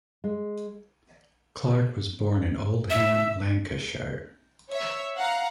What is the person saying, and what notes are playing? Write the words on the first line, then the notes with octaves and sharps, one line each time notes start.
Clarke was born in Oldham, Lancashire.
G#3
E5
C#5 E5
F5 F#5 A#5